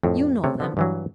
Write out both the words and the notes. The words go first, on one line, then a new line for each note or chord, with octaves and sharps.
"You know them."
F2 A2
C3 A3 C#5
D3 F3 B3
G2 E3 F#3